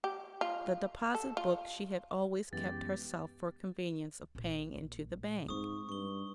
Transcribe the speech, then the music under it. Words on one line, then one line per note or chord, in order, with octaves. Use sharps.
The deposit-book she had always kept herself for convenience of paying into the bank.
G4
F4
A4
F4
F#2 E3 G#3 B3 G4 A6
A#1 A#2
G#2 C4 C#6 D#6
G2 C#6 G7